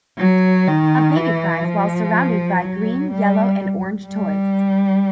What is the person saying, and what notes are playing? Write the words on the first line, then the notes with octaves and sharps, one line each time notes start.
A baby cries while surrounded by green, yellow, and orange toys.
F#3
D#3
E3
F3
F#3
G3
G3